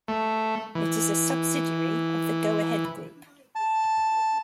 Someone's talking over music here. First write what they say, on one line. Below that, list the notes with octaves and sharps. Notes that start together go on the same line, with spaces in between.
It is a subsidiary of the Go-Ahead Group.
A3
E3
A5